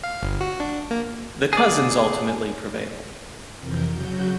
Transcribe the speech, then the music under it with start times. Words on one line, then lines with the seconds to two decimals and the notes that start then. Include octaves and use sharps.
The cousins ultimately prevailed.
0.04 F5
0.23 G1
0.41 F#4
0.60 D4
0.91 A#3
1.53 G#4 D5
3.59 F2 C3 E3 A#4 G6
3.91 C#3 F#3 F#4 G6